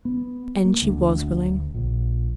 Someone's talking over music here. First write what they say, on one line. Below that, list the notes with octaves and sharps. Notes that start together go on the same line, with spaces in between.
And she was willing.
B3
A#3
D2
D2
A#1